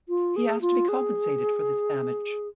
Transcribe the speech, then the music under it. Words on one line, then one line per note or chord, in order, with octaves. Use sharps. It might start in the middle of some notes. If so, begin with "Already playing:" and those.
He asked to be compensated for this damage.
F4
G#4
F4
G#4